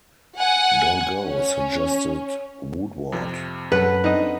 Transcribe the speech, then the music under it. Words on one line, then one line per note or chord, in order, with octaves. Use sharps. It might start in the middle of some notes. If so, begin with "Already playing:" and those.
"Don't go," suggested Woodward.
F#5 G#5
C#4
F2 C3 F3
F#2 A4 B4 F#5
C4 D4 D#4 D#5 F#5